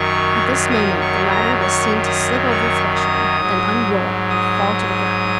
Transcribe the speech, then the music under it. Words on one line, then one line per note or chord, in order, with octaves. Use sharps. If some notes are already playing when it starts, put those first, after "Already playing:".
At this moment the ladder was seen to slip over the threshold, then unroll and fall to the ground.
Already playing: F#2 D#3 F#3 C#6
D#6
C#6
A#5
C#6
D#6
C#6
D#6
G#2 F#3
D#6